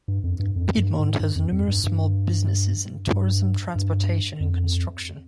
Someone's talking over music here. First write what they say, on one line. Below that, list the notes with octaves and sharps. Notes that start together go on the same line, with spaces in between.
Piedmont has numerous small businesses in tourism, transportation, and construction.
G2
F2
G2
F2
G2
G#2
G2
F2
F2
G2
G2
G2
G2
F2